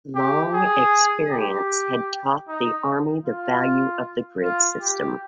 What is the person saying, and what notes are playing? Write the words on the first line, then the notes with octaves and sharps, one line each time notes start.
Long experience had taught the army the value of the grid system.
G4
G#4
G4
D#4
F4
F4
G4